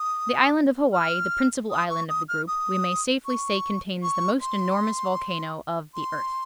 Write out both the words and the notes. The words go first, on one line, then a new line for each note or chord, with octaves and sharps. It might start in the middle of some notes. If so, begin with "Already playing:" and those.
The Island of Hawaii, the principal island of the group, we may safely say contains the most enormous volcano of the earth.
Already playing: D#6
F6
D#6
C#6
D#6
F6
D#6
C#6
C#6
C6
C6